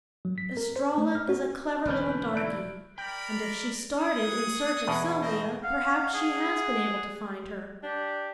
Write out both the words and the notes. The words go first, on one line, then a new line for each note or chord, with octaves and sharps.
Estralla is a clever little darky, and if she started in search of Sylvia perhaps she has been able to find her.
F#3
B6
A#4
C5
A3
F6
F#4
E1 D3 D#3 C4 B4 F6 G6
E4 D5 F#6 D7
A#4 D5 G5 B5
G#4 F#5 D#6
E2 B2
C4 B4 D#5
F5 F#5
G#4
D4 G4